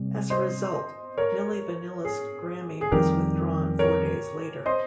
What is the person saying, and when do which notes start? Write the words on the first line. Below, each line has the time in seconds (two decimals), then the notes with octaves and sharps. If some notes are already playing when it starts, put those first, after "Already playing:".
As a result, Milli Vanilli's Grammy was withdrawn four days later.
Already playing: C3 G3
0.30 C5 D#5
1.18 A#4 C#5
2.05 G#4
2.81 G#4
2.91 F2 D#3 G3 G4 A#4
3.79 A#4 C#5
4.66 C5 D#5